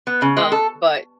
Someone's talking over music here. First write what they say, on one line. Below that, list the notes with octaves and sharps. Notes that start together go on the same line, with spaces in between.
Um, but,
B3
C#3
G#3
A4